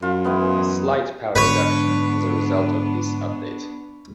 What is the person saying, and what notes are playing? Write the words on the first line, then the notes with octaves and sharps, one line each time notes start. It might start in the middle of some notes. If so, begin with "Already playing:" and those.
A slight power reduction was a result of this update.
F#2 F4
E3 G#3 B3
G#2 D3 B3 D4 B4 C#5